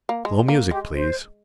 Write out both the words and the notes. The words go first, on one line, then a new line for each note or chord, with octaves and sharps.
Slow music, please.
A#3
G#3
A#3
G#3 G4
C5